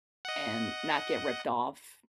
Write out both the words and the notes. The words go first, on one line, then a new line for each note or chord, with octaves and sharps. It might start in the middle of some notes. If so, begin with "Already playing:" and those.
And not get ripped off.
D#5 F#5